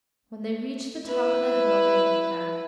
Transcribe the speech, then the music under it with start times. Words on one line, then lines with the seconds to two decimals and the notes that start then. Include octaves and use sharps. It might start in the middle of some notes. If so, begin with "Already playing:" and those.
When they reached the top of the hill they looked back.
1.07 E4 B4